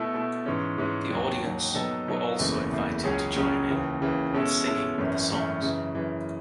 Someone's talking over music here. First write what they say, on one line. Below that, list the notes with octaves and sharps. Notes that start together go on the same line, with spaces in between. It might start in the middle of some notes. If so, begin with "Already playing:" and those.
The audience were also invited to join in with singing the songs.
Already playing: B2 A3 E4 A4
B2 A3 E4 A4
G#2 E3 G#3 C#4
G#2 E3 G#3 C#4
D#2 D#3 F#3
D#2 D#3 F#3
B2 F#3 B3 D#4 A4
B2 F#3 B3 D#4 A4
F#1 E2 C#3 E3 A3
F#1 E2 C#3 E3 A3
C#2 C#3 F#3 C#4 G#4
C#2 C#3 F#3 C#4 G#4
D#2 C#3 E3
D#2 C#3 E3
B2 G#3 C#4 E4 A4
B2 G#3 C#4 E4 A4
G#1 F#2 E3 A3 C#4
G#1 F#2 E3 A3 C#4
F#2 C#3 E3
F#2 C#3 E3